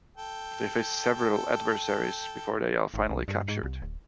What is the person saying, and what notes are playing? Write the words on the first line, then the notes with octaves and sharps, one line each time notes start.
They face several adversaries before they are finally captured.
A4 G5
G#1
C2
G2
G#2
C2
D1